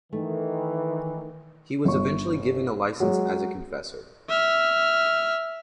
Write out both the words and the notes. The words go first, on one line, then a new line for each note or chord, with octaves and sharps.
He was eventually given a license as a confessor.
D#3 E3 A3
G1 C#6
F#3 G#3
E5 F6